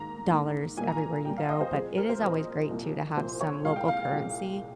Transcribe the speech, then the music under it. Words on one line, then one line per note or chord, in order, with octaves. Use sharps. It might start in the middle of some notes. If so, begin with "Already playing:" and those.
dollars everywhere you go, but it is always great too to have some local currency,
Already playing: G#2 D#3 A#3 A#5
G#2 D#3 A#3
A#2 G3 A#3 G#5
A#5
G#5
A#2 G3 A#3 G5
F5
D#5
C5
A#2 F3 C4 G#4
A#4
C5
A#2 F3 C4 D#5
C2 A#2 F3 A#3
C2 A#2 F3 A#3 C5
C#5
C2 A#2 G#3 F5
G5
F5
C2 A#2 G#3